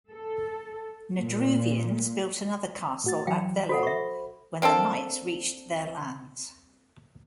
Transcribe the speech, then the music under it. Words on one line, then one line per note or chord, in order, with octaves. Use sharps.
Nadruvians built another castle at Velowe when the Knights reached their lands.
A4
A#2
A2 F#4 A6
E3 F#3 F5 G5
F#4 A4 C5 F#5 B5
E5 C#6
A#3 C4 D4 A4